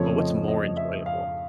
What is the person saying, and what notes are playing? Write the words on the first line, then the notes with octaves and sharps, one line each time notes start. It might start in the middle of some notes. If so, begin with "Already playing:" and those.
but what's more enjoyable?
Already playing: F2 C#3 F3 A3 C4 C#5
D#5
D#5
E5
F5